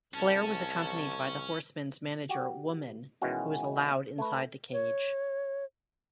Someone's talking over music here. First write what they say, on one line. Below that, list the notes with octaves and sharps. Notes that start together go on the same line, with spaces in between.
Flair was accompanied by the Horsemen's manager Woman who was allowed inside the cage.
C2 C#4 A5
F#4 G4
B2 D#3 E3 G#3 C#4 F#4
A3 B4
C#5